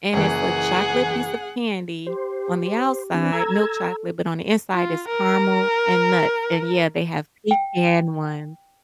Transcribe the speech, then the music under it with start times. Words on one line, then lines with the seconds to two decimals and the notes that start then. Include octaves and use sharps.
and it's a chocolate piece of candy on the outside, milk chocolate, but on the inside, it's caramel and nuts, and, yeah, they have pecan one.
0.13 F#1 E3 G#4 F#5
2.07 G4 C5
3.14 E3 C4 D4
3.32 A4 A#5 E6 G#6
4.73 F4
5.08 A#4
7.51 G5